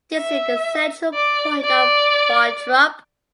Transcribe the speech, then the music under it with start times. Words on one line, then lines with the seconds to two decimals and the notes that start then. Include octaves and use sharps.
This is the central point of Barntrup.
0.17 E5
1.14 D5
1.62 D5